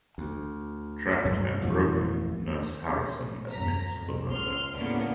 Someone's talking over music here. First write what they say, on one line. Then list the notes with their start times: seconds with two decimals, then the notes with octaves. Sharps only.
Trapped and broken, Nurse Harrison admits the murder.
0.18 D2
1.25 G2 F#3 G#3
1.61 A1 F2 B2 E3
3.49 F#2 A#5 B6
3.91 F2
4.30 C#2 C6 F6
4.75 D2 A2 C#3 A#3 B3 D4